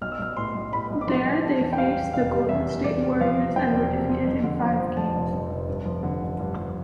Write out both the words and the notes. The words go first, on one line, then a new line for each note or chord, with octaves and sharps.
There they faced the Golden State Warriors and were defeated in five games.
B1 F6
E6
B1 F6
A2 C6
B1
A2 B5
B1
D6
F3 C6
B1
G3 A5
E2
G5
G3 F5
E2
F1 F5
G3
E2 E5
G3
E2 D5
C3
F3 F5
C3
F3 G5
E1
C3
F3
F2
D3
F3
F3
F2 A5
F1
F2
F1
G2
F3
D3
A1
G2
F3